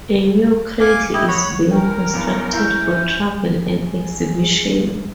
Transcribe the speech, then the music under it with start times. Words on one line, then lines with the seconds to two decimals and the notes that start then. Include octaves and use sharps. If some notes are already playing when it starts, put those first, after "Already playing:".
A new cradle is being constructed for travel and exhibition.
0.80 F5 G#5 D6
1.14 E4 G4 D#5
1.28 C#5 F#5 B5
1.71 C#4 A#4 G5
2.14 E2 G2 B3
2.53 E4 E5 G6
3.74 G#4